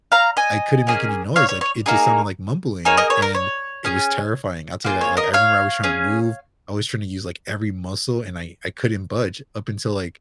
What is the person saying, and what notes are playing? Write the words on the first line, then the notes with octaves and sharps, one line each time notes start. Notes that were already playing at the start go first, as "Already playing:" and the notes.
I couldn't make any noise, like, it just sounded like mumbling, and it was terrifying I'll tell you that, like, I remember I was tryna move I was tryna use, like, every muscle, and I I couldn't budge up until, like,
F5 A#5
D#5 G#5
A#3 C#4 G#4
C#5 F5
C#5
C#5
A#3 D#4 G#4
A#3 D#4 G#4 C#5
A#4 D#5
C#5
A#4
C#5
C#4 G#4
A#3 F4 G#4
C#5
A#4 D#5
C#5 F5
C#4 G#4